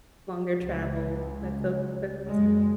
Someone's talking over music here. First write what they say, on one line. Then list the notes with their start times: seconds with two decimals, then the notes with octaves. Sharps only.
along their travel. That's so that's so sweet.
0.61 C#2
2.31 F#1 G#3